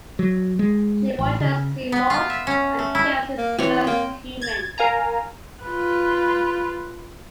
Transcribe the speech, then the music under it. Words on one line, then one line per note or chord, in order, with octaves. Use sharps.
She watches as he morphs and kills his first human.
F#3
G#3
A1
C#3
B3
F4
E5
C#4
A3
E4
A#3
E3 C4 C#5
A#3 G5
G#6 A6
A#4 F5 G#5 A#5
F4 B4